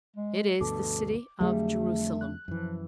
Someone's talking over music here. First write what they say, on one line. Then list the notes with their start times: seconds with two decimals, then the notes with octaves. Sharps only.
It is the city of Jerusalem.
0.16 G#3
0.61 D2 G2 B2 A4 D6
1.40 F2 D3 F#3 G3 A3 G#4
2.21 F#6
2.48 F#2 E3 F3